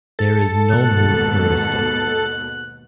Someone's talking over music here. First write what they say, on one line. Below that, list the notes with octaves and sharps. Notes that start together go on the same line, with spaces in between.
There is Null-move heuristic.
A4
D#2 G#2 B2 F#6